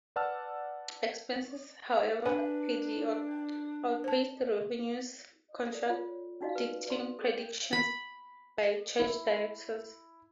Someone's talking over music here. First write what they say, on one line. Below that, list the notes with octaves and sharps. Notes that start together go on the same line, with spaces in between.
Expenses, however, rapidly outpaced revenues, contradicting predictions by church directors.
B4 D5 F#5 A5 E6 F6
D4 B4 G#5
C5 A5
A4 D5
F4 C#5
C#4 D#4 F#4 D5 D#5 F5
B4
B4 D5 C6
G#4 A4
B5
E4